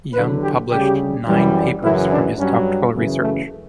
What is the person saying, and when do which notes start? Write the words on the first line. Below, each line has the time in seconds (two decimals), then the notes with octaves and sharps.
Young published nine papers from his doctoral research.
0.14 E2 D3 F#3 B4
0.43 G4
0.71 D2 C#3 G3 G4
1.27 F#2 E3 G3
1.83 F#2 C#3 E3 E4
2.11 D4
2.39 G2 F#3 C#4
2.95 F#2 C#3 E3 B3
3.23 A3